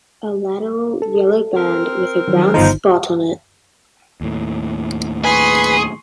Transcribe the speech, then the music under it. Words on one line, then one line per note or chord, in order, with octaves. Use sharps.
A lateral yellow band with a brown spot on it.
A4
C4 A#4
D#3 F#3
G1 D#3 F3 D#4
D#2 A2
G#4 B4 C6 C#6